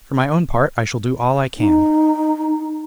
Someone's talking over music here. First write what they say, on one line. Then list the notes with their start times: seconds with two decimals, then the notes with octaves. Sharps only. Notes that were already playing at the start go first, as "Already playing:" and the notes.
For my own part, I shall do all I can.
1.59 D#4